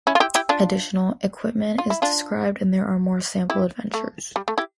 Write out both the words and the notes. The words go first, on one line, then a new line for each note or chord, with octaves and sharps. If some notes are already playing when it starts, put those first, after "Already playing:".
Additional equipment is described and there are more sample adventures.
C#4 E4
F4
E4 G4
E4 G4
D4 F4
F4
E4
D4 F4
E4 G4
A3
G3
A3
E4 G4